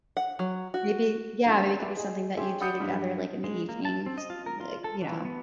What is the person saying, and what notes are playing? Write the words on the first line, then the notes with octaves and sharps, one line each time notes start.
maybe Yeah, maybe it could be something that you do together, like, in the evenings, like, you know,
F#5
F#3
F#4
D3 F#3 C#4 D4 F4
B4 D5 E5
G#4 D#5
G4 G#4 C#5 E5 G5 C6
D5 F#5 B5 D#6 G6 C#7
G2 F3 G3
G#3
A#3
A5
C4
D#5
F4
A#4
F4
A4
E3
B3